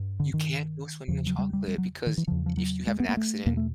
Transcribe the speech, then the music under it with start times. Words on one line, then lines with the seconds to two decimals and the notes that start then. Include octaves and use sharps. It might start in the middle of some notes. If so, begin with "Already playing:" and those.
You can't go swimming in chocolate because if you have an accident,
Already playing: G2
0.20 D3
0.34 D#3
1.08 E2 C#3 F3
1.27 F#3
1.38 G3
1.53 G3
1.68 G3
1.78 F#3
2.07 D#3
2.18 E3
2.27 E2 C#3 F3
2.46 F3
2.57 F#3
2.87 G#3
3.00 B3
3.09 A#3
3.17 A3
3.46 E2 B2 A#3
3.57 A3